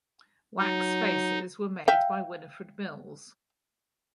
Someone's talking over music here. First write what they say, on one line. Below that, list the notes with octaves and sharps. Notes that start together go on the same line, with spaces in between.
Wax faces were made by Winifred Mills.
F#3 D#4
E5 F5 G5